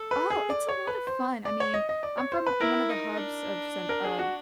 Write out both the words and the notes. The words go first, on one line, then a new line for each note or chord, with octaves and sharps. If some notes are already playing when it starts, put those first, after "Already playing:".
Oh, it's a lot of fun, I mean, I'm from one of the hubs of cen of
Already playing: A4
B4
G#4
D5
C#5
B4
C5
D5
C#5
D#5
D#5
D5
C#5
C5
B4
E4 A#4
D#4
D4
A#4
G#4
F#4